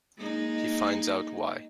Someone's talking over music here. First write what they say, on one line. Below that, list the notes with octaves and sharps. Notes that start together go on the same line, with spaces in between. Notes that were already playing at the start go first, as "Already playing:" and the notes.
He finds out why.
G#3 A#3 D#4